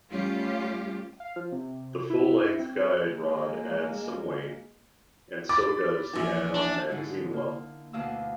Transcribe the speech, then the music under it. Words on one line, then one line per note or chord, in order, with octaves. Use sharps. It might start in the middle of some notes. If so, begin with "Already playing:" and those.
The full-length guide rod adds some weight, and so does the add-on magazine well.
G3 A3 C#4 F4 G4
F5
F3
C3
E4
C4
G#3 A#3
B5 D6 A6
A#1 E3
D4
G#2 D3 G#3 D#4 E4
A#3
D2 B2 A#3 D#5 F5 E6